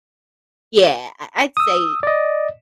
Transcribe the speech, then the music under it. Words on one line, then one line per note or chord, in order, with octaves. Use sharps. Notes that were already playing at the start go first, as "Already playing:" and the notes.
yeah, I I'd say
D#6 E6
D5 D#5